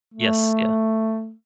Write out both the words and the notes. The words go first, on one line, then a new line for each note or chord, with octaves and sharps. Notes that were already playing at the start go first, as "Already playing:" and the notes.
Yes, yeah.
A3